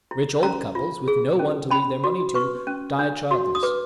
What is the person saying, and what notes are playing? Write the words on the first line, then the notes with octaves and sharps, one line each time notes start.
Rich old couples, with no one to leave their money to, die childless.
E4
C#4 A#5
F4
G#4
C#4
C#4 B5
F#4
B4 C#6
C#4
D4
F#4
D#6
B4 D6